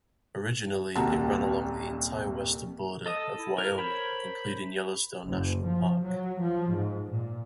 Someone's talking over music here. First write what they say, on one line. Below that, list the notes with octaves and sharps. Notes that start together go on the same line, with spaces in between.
Originally, it ran along the entire western border of Wyoming, including Yellowstone National Park.
D#1 C2 A#3 F#4 A5 A#5
A4 D#5 D#6
E4
A#4 F6
A#4 C5 C#5 B5
F#1
F3
F#3
F3
G#2
A#2